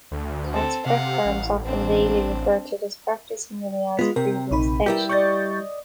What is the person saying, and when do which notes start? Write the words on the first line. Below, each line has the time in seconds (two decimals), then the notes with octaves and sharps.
Tax prep firms often vaguely refer to this practice merely as "previous debt".
0.11 D2
0.53 C4 A4
0.86 C3 F5 F#5
1.25 A1
1.65 A1 C4 D4
3.99 G#3 B3 F4
4.16 C3 A#4 G5
4.51 A#1 D#4 B5
4.86 G3 E4 G4 A#4 B4 G5
5.09 D5 D#5 C#6 G6 A6